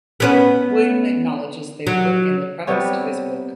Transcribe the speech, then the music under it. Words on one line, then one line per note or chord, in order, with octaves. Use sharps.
William acknowledges their work in the preface to his book.
B3 C#4 B4
F#3
C3 G3 B3 C#5